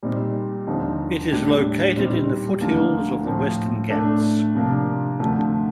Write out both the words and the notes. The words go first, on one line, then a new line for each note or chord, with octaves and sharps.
It is located in the foothills of the Western Ghats.
A#2 G3 C4 D#4
D#2 D3 F3 C4 D#4
A2 G3 D4
A#2 G3 C4 D#4
D2 D3 F3 A#3
A2 F3 C4
A2 A3 D4
C3 F3 A#3 D4
D2 D3 F3 A3